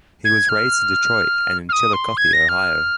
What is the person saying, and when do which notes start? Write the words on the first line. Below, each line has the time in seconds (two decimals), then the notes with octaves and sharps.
He was raised in Detroit and in Chillicothe, Ohio.
0.25 G#6
0.49 F6
1.69 F6
1.73 D#6
1.93 C6
2.17 G#6
2.33 A#6
2.49 F6